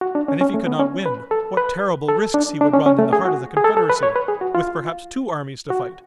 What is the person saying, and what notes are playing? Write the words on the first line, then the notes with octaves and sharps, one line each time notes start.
And if he could not win what terrible risks he would run in the heart of the Confederacy, with perhaps two armies to fight!
F#4
D4
C#4
C#4
A3
B3
C#4
B4
A4
B4
A4
D4
D4
C#4
C#4
A3
G#4
F#4
G#4
A4
A4
B4
C#5
B4
G#4
F#4
F4
F#4